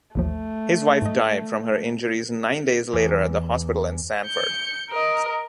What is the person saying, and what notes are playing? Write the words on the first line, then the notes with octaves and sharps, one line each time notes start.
His wife died from her injuries nine days later at the hospital in Sanford.
A1 D#2 F3 A3
G#2 D#5
E2
G6 C#7
A#4 D#5